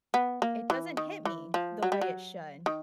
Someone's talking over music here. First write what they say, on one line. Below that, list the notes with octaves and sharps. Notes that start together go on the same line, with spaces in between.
It doesn't hit me the way it should.
B3
A#3
E3
D#3
E3
F3
F#3
G3
F#3
D#3